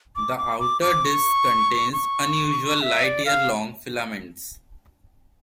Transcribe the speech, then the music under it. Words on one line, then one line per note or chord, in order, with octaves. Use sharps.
The outer disk contains unusual light-year-long filaments.
D6
D6
D6
D6
C#6
C#6
E5
D5
F5